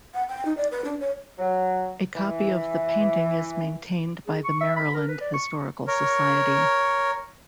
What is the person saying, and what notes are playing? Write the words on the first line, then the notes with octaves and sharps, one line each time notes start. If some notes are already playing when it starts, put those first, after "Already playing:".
A copy of the painting is maintained by the Maryland Historical Society.
F#5
G5
D#4
D5
B4
D4
C#5
F#3
E3
G#4
C#6
E5
B5
A#4
B4
D5
C#6
A#4 C#5